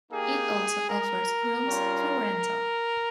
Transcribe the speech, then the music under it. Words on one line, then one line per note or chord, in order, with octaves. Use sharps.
It also offers rooms for rental.
A#3 D#4 G4 G#4
A#4
G3 C#4 F4